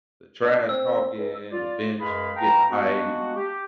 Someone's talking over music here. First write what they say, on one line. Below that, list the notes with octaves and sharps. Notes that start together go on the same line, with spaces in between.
the trash talking, the bench getting hype.
D4
C4 E6
C#2
F4 D5
F#2 G#3 G#4 B4 F5 B5
B4 F5 G5 A5 A#5
G#3 A#3 B3 D4 F#4
G4